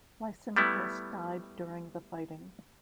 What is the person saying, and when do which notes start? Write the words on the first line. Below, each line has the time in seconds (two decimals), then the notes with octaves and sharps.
Lysimachus died during the fighting.
0.56 G3 A3 B3 E4